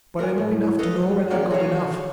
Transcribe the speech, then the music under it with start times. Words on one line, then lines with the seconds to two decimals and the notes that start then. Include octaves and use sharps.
But I know enough to know when I've got enough.
0.19 F#4 A#4 D5 G#5
0.38 A2
0.79 A4 B4 D#5 F5
1.02 G2
1.30 A#3 C#4 F4 G4 G#4 D5
1.50 F#4 G#4 A4 B4 C#5 F5